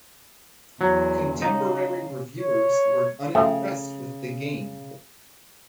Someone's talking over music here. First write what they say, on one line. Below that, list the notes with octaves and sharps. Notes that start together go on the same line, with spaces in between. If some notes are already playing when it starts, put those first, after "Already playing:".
Contemporary reviewers were unimpressed with the game.
E2 F#3
C#3 D#4
C#5
C#3 F3 A3 G5